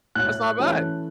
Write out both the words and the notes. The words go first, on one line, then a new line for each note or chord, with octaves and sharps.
That's not bad."
A2 F#6
E3 A3 C#4